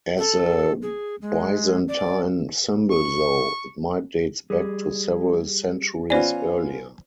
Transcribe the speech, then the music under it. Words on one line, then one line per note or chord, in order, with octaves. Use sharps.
As a Byzantine symbol though, it might dates back to several centuries earlier.
A4
G#4
G#3
D5
C#6
G3 G#4
B3 C#4 F4 B4 C5 D5 G#5